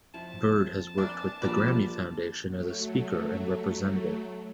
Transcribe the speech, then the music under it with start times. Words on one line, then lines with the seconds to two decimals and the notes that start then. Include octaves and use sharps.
Byrd has worked with The Grammy Foundation as a speaker and representative.
0.14 F2 E4 A5
0.98 E3 D4 A#4
1.42 A#1 F3 G3 B4 D5 A#5
2.47 F#3 A3